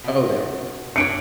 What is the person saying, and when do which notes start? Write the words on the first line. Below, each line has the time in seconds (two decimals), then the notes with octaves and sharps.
Oh, there
0.04 B2
0.96 C4 D4 C#5 C#7 D7